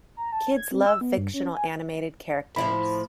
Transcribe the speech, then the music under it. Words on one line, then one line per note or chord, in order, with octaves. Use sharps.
Kids love fictional animated characters.
A#5
A5
G#6
C4
E6
B3
G2
C#4
G#5
A2 F3 E4 B5